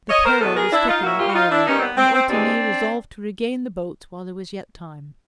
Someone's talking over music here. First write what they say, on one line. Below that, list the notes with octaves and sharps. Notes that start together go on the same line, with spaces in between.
The peril was thickening hourly, and Ottigny resolved to regain the boats while there was yet time.
C#5 D#5
A#4 C5
E2 B2 G#3 B3 A4 B4
G#4 A#4
D4 E4
D#4 F4
A#2 F#3 A#3 E4 F#4
F4 G4
F#4
D#4 F4
D4 E4
D#2 D#3 G3 B3 C#4 D#4
C4
B3
C4
C4
D2 C3 E3 G#3 C4 D4